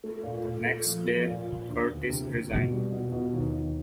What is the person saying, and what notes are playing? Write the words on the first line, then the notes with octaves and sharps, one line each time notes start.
The next day, Curtis resigned.
A3
A#2
A#2
A3
F3
F3
A#2
A#2
D2
D2
C3
C3
B2
G3
B2
B2
D#2
D#2